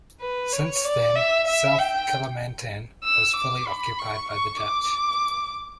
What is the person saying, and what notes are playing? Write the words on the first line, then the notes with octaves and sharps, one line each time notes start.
Since then, South Kalimantan was fully occupied by the Dutch.
B4
C#5
D5
E5
E5
G5
E6
D6
B5
C#6
C#6
D6